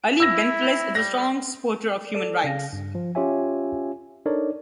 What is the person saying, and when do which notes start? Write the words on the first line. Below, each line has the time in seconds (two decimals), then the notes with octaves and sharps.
Ali Benflis is a strong supporter of human rights.
0.20 E4 E6 A#6
0.95 G3 A#6
2.15 A4 D5
2.44 C#3 F5 A#6
2.73 G2
2.95 F3
3.15 C#4 F4 G4 C#5 E5 G#5
4.26 D4 D#4 A4 A#4 C#5 D5